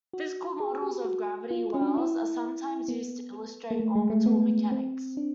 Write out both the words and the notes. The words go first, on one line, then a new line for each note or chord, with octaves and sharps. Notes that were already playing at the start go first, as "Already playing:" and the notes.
Physical models of gravity wells are sometimes used to illustrate orbital mechanics.
F#4
G#4
G4
F#4
F4
C#4
D4
E4
B3
A#3
A3
G#3
A3
B3
C4
D4